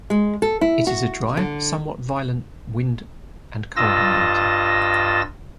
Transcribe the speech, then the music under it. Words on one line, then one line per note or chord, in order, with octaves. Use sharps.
It is a dry, somewhat violent wind and cold in winter.
G#3
A4
E4
F#4
D3
G2 F4 D#5 E6 A6 A#6